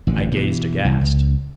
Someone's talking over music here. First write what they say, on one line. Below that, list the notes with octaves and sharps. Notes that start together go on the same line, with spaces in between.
I gazed aghast.
A1 D3
B2 E3
C2 E3
C#2